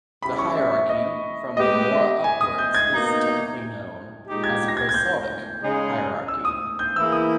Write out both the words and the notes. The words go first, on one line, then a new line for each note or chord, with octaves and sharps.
The hierarchy from the mora upwards is technically known as the prosodic hierarchy.
C#3 G3 C#4 E4 G4 B5
C#6
E5
E5
D#5
G#3 B3 G4 D#5
E5
G#5
D#6
G6
G#6
B2 A#3 D#4
A#2 G#3 D#4 G4
G#6
A#6
G#6
G#6
G6
C#3 G#3 D#4 G#4
E6
D#6
G6
E3 A#3 E4 G#4 E6
D#6